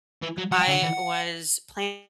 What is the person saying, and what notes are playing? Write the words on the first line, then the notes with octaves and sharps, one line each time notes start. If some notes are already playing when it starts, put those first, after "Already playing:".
I was planning
E3
F#3
F#3 F#5
G5
D3
F#5
E3